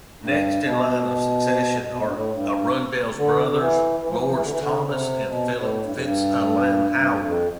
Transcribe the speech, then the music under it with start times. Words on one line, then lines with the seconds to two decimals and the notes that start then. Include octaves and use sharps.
Next in line of succession are Arundel's brothers, Lords Thomas and Philip Fitzalan-Howard.
0.22 G2
0.64 B2
1.90 B2
1.97 A2
2.06 G2
2.13 A2
2.32 G2
3.17 D3
3.48 D3
3.58 E3
4.01 E3
4.08 F3
4.16 E3
4.24 F3
4.31 E3
4.43 D3
4.51 E3
4.58 D3
4.86 C3
5.27 B2
5.56 A2
5.83 G2
5.92 F2
6.02 G2
6.95 G2
7.23 F2